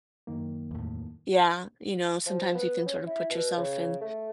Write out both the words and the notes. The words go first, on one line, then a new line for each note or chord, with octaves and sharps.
Yeah, you know, sometimes you can sort of put yourself in
F#2 D#3 A#3
E2 A2
F3
B3
C#4
E4
B2
C#3
A3